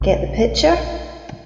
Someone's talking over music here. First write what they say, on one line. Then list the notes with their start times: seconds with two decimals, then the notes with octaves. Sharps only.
Get the Picture?
0.01 A#1 C#3